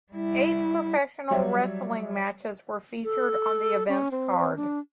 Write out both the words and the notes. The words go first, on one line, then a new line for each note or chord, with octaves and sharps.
Eight professional wrestling matches were featured on the event's card.
G3 E4
F#3 G3 C#5 D5 E5
A4
C#4
C4
D4